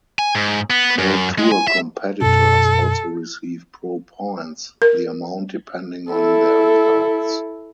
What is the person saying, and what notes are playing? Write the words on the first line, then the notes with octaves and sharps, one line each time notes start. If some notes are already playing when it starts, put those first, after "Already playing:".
Pro Tour competitors also receive Pro Points, the amount depending on their results.
G#5
G#2
B3
F#2
G#3
G#5
E5
F#2 B2 A4
A#4
E4 A4